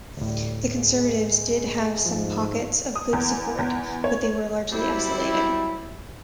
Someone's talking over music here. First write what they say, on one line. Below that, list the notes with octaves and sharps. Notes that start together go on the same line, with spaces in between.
The Conservatives did have some pockets of good support, but they were largely isolated.
D2 A2 G3
G#3
G#2 F3
D#6
E2
E2
C#5
F#3 G3 C4 E4